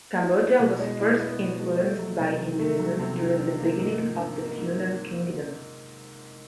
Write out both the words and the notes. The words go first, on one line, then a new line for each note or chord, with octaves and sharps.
Cambodia was first influenced by Hinduism during the beginning of the Funan kingdom.
E4
B3
B2
G#3
E4
B3
B2
G#3
A3
F#3
C3
D#3
A3
F#3
C3
D#3
D4
A#3
G#2
F3
D4
A#3
G#2